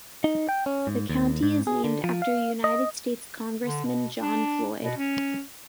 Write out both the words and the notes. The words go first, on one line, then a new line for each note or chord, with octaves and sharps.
The county is named after United States Congressman John Floyd.
D#4
G5
C#4
G#2
D#2
G#2
G#4
D3
F3
F5
D#5
D3
B2
D4
B2
C#4